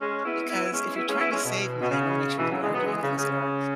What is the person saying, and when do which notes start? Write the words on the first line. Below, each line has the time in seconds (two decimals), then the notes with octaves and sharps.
because if you're trying to save money, you wanna make sure that you are doing things that are
0.01 G#3 C#4
0.25 B3 E4
0.49 B3 E4
0.65 E4
0.73 G#3 C#4
0.96 B3 E4
1.08 G#3 C#4
1.20 B3 E4
1.32 G#3 C#4
1.44 B2
1.81 B2
1.91 C#3
2.38 B2 E3
2.50 C#3 F#3
2.62 E3 G#3
2.74 F#3 B3
2.86 E3 G#3
3.02 C#3
3.18 C#3